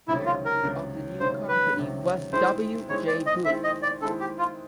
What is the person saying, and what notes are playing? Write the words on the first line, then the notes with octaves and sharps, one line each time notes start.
Chairman of the new company was W J Booth.
C#2 C3 D#3 F#3 E4
F4
A#4
C#2 C3 D#3 F#3
C#2 C3 D#3 F#3 C5
B4
C#2 C3 D#3 F#3
D#3 G#3 C4 E4 C5
D#3 G#3 C4 E4 C#5
D5
D#5
D#3 G#3 C4 E4 E5
D#5
D5
D#3 G#3 C4 E4 A4
G4
F4